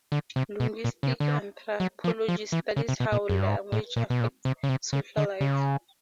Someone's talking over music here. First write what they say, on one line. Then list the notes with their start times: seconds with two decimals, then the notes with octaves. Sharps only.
Linguistic anthropology studies how language affects social life.
0.12 D3
0.36 C3
0.60 B2
0.84 A#2
1.03 C#3
1.08 C3
1.20 D3
1.80 F#3
2.04 F3
2.28 F3
2.52 E3
2.76 C#3
2.89 C3
3.00 B2
3.12 A#2
3.29 F#2
3.39 G2
3.48 G#2
3.72 A2
3.96 A#2
4.10 B2
4.20 A#2
4.45 C3
4.63 C#3
4.69 C3
4.93 C#3
5.17 D3
5.41 C#3